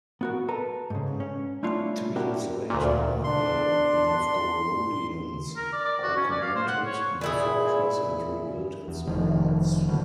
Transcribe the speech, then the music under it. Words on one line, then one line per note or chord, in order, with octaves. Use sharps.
Two years later, the Novgorodians augmented the fortress and rebuilt its walls.
B3 F#4 A#4
A4 B4 A#5
G#2 C#3
C#4
G3 A3 D4 E4 F4 C#5
D4 E4 F#4 G4 A#4 C#5
D2 A#2
D4 C6
A#4
D5
D5
F#4
C#4
D5
F5
C5
F#5
C#5
A#2 E4 G#4
E2
F1 D#3 F3
A#2 D3 G3